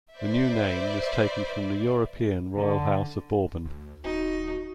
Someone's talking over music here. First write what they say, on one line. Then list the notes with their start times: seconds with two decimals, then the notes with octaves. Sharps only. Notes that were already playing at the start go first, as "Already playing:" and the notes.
The new name was taken from the European royal House of Bourbon.
0.16 B4 C5 D5 E5
2.55 D3
3.65 D2
4.04 D1 D#4 F#4